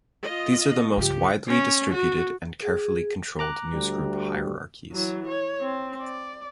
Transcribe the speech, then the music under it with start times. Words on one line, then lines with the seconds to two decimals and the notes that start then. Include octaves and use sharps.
These are the most widely distributed and carefully controlled newsgroup hierarchies.
0.22 F4 D#5
0.97 C#2 G2 F3 G4
1.48 C#4
1.92 F#4
2.62 G#4
3.39 A#5 D6 F#6
3.73 D2 G3
4.92 E3 F#3
5.27 C#5
5.61 C4
6.01 D5